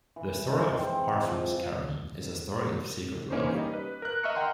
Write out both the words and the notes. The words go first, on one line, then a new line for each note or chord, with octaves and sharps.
The story of Parfums Caron is a story of secret love.
E3
G#3
C4
F3
E3 A#3 C#4 D#4 C5
G3 D#5
B4
A#4 F#6
D#5 E5 A#5 C#6 F6 C#7
D#5 F#5 G5 A#5 C6